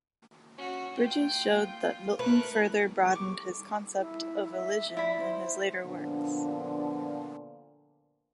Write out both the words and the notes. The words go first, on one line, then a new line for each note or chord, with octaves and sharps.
Bridges showed that Milton further broadened his concept of elision in his later works.
C#4 F#4
F4 G5
A3 A#4 B4 F#6
C#6 D6
E4
E5
E4 D5 B5
C5
A#2 D3 F3 B3 D4